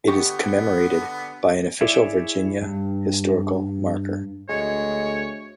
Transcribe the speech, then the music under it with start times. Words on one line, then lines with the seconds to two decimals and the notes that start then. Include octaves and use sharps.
It is commemorated by an official Virginia historical marker.
0.08 D3 B3 G4 C#6
1.81 E4 G#4 C#5 D5 E5
2.62 G2
4.49 D2 G#3 C#5